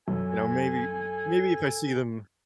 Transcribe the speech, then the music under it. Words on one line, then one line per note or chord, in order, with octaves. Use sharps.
you know, maybe maybe if I see them
F#2 A4 G#5